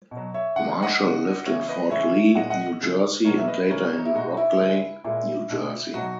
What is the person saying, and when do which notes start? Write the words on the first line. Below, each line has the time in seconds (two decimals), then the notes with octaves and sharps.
Marshall lived in Fort Lee, New Jersey and later in Rockleigh, New Jersey.
0.11 B2
0.17 F#3
0.34 C#5 E5
0.56 C#3 E3 G#3 F#5
0.83 D#5 F#5
1.01 C#3 G#3
1.46 C#3 E3 G#3 C#5 E5
1.68 B4 D#5
1.91 C#3 E3 G#3 C#5 E5
2.35 A#2 G#3 D#5 F#5
2.50 D#5 F#5
2.81 C#3 G#3
3.25 B2 F#3 A#4 C#5
3.38 E5
3.47 B4 D#5
3.70 C#3 E3 G#3 A#4 C#5
3.97 D#4
4.05 E4
4.15 B2 G#3 D#4 F#4
4.37 E4
4.60 C#3 G#3
5.04 A#2 G#3 E4
5.50 B2 G#3
5.94 B2 F#3 D#4 F#4